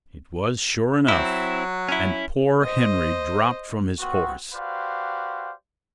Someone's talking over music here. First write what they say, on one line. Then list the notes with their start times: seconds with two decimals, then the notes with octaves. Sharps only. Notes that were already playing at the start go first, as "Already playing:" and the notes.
It was sure enough; and poor Henry dropped from his horse.
1.08 F#3 C4 E4
1.89 C#4 E4
2.63 C5 D#5
4.00 B3 C4 F4 F#4
4.54 F#4 G4 B4 C5 D5 F5